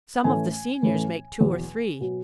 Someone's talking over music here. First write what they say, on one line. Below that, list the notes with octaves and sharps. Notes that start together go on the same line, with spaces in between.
Some of the seniors make two or three.
A2 E3 A3 C#4 G#5
A2 E3 A3 C#4
E2 B2 F#3
B2 F#3